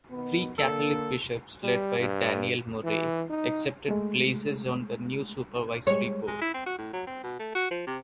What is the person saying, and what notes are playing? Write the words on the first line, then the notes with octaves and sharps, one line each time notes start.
Three Catholic bishops, led by Daniel Murray, accepted places on the new supervisory board.
B2 D#3 B3
D3 A#3 A4
G3
G2
E3
D#4
G#3 A3
G3 G#3 C#5
G#3
E4
C4
F#4
A2
F#3
C4
B2
A3
F#4
F3
C3